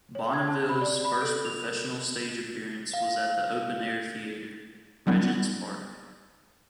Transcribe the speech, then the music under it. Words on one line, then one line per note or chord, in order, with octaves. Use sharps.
Bonneville's first professional stage appearance was at the Open Air Theatre, Regent's Park.
C#5
G#6
A5
B5
D5
B5
A4
F7
A#4
F5
F#3 G3 B3 C#4 D#4